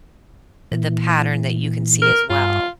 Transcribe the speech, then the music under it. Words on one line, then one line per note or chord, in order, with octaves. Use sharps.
the pattern that you can see as well,
A#2 E3
A#4
G2 F4